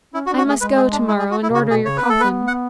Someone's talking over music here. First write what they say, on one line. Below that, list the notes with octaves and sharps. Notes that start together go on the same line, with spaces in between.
I must go to-morrow and order your coffin.'
C#4 E4
F#4
D4
F#4
A3 G#4
G#3 B4
G#4
D4
E4
G#4
F#4
E4
B2
C#3 F#4
B2 G#4
C#3 C#5
B3 B4
A3 A4
B3 B4
F#5